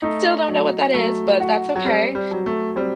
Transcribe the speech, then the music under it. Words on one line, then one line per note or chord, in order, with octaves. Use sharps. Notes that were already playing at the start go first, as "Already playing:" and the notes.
still don't know what that is, but that's okay.
A3 D#4
F#3
F#3 A3
F#4
F#3
G3 C4
G3
F#3
A3
G3 C4